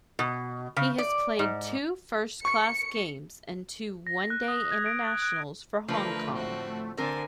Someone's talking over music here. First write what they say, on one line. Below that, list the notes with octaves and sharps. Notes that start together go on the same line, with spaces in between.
He has played two first-class games and two One Day Internationals for Hong Kong.
B2
C#3
D5
G#2
C#6 C#7
A#6
F#6
D#6
G#6
D7
F#6
F#6
D3 F3 A3 A#4 B4
A2 C4 F#4
D3 C4 A#4 C5 G#5